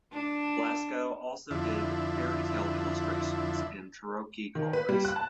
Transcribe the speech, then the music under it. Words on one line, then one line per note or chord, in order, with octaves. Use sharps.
Blasco also did fairy tale illustrations and tarrocci cards.
D4
F2 D3 E4
D#3
B4
G3
F#6
A5